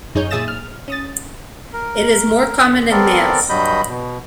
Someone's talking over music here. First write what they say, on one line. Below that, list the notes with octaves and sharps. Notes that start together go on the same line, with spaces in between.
It is more common in males.
F#2 D#4 G#4 C#5 G6
A#2 G#4 E5 D#6 A6 E7
F6
C#4 D#6 A6
A#4
D3
B3 C4 A4 A#4 D5
G2 F#3 G3 D#5 B5 G6
B2